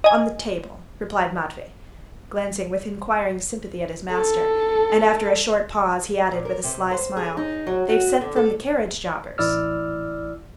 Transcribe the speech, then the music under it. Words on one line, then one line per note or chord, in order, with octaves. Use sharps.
"On the table," replied Matvey, glancing with inquiring sympathy at his master; and, after a short pause, he added with a sly smile, "They've sent from the carriage-jobbers."
D#5 G#5
A4
A#2
A#4
C3
C5
G#4
D#4
F#3
F#4
D3
A4
A1 E4 D5 E6 F6